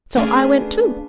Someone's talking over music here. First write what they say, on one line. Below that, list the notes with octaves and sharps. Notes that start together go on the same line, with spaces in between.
So I went too.
A3 B3 C#4 D4 G#4 F5